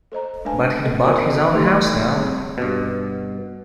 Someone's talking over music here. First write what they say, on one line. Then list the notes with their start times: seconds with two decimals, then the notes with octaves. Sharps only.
But he'd bought his own house now.
0.12 A4 C5 D#5 A#5
0.45 G#3 D4 B4 G#5 A5
1.03 B3 F#4 A#4 C5 D5
1.30 C#4
1.52 A3 D#4 G4 A4 C6
2.15 G3 C4 G#4 C#5
2.58 G2 B2